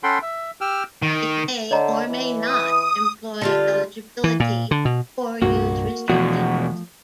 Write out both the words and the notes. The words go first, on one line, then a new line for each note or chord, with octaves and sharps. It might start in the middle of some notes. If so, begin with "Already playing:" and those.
It may or may not employ eligibility or use restrictions.
C#4 A4 F#5 G5 B5 C6
E5
G4 G5 E6 F6
D#3
D3 C#5 D#5 A#5
E3
D#6
D3 G3 F4
E3
A#2
D3
B2
C2 G2 A#2 A#3 F#4
E2 B2 F3 A3 F#4